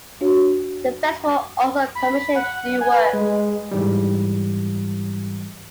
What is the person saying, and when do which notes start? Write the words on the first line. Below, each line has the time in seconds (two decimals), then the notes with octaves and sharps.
The Festival also commissioned new works.
0.21 D4 F#4 C#5
1.95 B5
2.36 F#5
2.81 G#5
2.93 B4
3.13 G#3
3.71 G#2 E3 G3